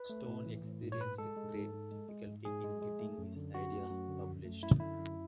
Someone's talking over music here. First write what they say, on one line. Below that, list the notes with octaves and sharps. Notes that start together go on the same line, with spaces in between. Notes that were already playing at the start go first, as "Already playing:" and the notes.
Stone experienced great difficulty in getting his ideas published.
Already playing: B4
A3
A2
E3
A2
G#2
C#5
G#2 B4
G#3 A4
G#3
G#2
G#2
G#3
G#3
G#2
G#2 G#4
G#3
G#3
A3
F#2
D3
F#2 F#4
A3
F#2
D3
F#2
A3
F#2 E4
D3 E4
F#2